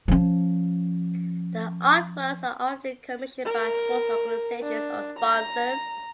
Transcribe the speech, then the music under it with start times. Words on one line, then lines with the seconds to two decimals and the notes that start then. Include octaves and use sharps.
The artworks are often commissioned by sports organisations or sponsors.
0.08 F3 C#4
3.46 A#4
4.62 D4
5.19 A#5